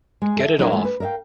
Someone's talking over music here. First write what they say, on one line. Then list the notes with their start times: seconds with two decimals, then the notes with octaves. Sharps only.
Get it off.
0.22 G#3
0.37 A4 E5
0.58 F3 F#3 D4 E4 A#4 E5
0.71 E3 G#3 A3 F4
0.84 B4
1.00 A#4 D5 E5 F5 G5